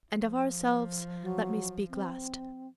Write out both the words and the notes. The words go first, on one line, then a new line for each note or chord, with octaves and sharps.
And of ourselves let me speak last.
F3
F#3
C4